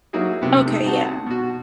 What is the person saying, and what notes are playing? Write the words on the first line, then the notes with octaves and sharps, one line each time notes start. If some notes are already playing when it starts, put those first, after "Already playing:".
Okay, yeah.
F#3 A#3 D#4 E4 F#4 G#4
C3 B3
A3 D#4
C4 D#4 F#4 F#5 A5
B2 F#4